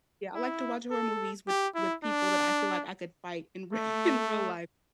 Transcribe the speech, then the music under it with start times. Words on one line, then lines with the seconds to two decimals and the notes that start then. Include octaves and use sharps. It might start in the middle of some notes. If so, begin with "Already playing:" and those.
Yeah, I like to watch horror movies with with people that I feel like I could fight in rea in real life.
0.35 E4
0.91 A4
1.48 G4
1.75 E4
2.04 D4
3.73 A3